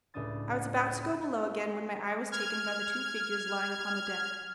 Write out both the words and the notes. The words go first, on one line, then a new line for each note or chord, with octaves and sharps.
I was about to go below again, when my eye was taken by the two figures lying upon the deck.
C#2 A2 D4 D#6 A6
F6 G#6